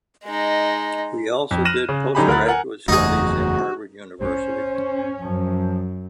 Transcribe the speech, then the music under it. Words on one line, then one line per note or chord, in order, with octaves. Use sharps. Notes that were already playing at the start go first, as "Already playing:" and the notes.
He also did postgraduate studies at Harvard University.
G#3 D#4
F2
F6 F#6 A#6 D#7 E7 F#7
C#3
D3 F#3 D#4 G4 G#5 B5
D2 A#4 F#5 B5 F#6 A6
A#4 F#5 G#5
F#1 E2 A3 D#4 F#4 G#4
C#4 C5
F#2 F3